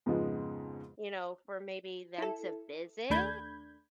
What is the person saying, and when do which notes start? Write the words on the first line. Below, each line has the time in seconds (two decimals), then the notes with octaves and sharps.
you know, for maybe them to visit.
0.06 F2 G#2 C#3 F3 G#3 B3
2.18 E4 A4
3.10 D#2 A3 D4 B5 G6 G#6